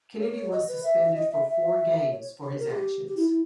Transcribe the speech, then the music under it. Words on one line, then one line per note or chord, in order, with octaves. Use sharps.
Kennedy was suspended for four games for his actions.
C#5
D#5
B4
E5
D#5
E5
E5
C#5
C#5
A#4
G#4
G4
G4
E4
E4